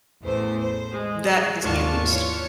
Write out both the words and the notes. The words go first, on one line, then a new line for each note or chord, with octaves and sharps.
that gives me a boost.
A1 E2 A3 C5
C5
G#3
D#2 G#2 D4 F4 A5 C#6
E3 F4 C#5 C#7